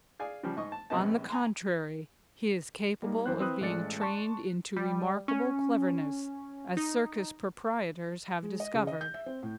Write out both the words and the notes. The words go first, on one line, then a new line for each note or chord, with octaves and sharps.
On the contrary, he is capable of being trained into remarkable cleverness, as circus proprietors have discovered.
G#4 D5 F5 G#5
C#3 F3 G3
G#2 D#5 C#6 D#6
A5
A#1 C3 B3 C#4 D#5 A5
G#5 A#5 C6
G3 A#3 D#4
F#2 E3 C5 F#6
C4 E4 B4 D#6 F#6
A1 G#3 A3 D5 A6 C#7
D5 A5 C6 C#6
G3
C#4
D#4
G#3
D#5
C#3
D#5
G6
E5
C4
A2